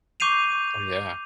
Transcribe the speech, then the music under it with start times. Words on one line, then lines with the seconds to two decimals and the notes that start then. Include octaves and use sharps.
Oh yeah.
0.20 C#6 D6 G6 C7 D#7 F7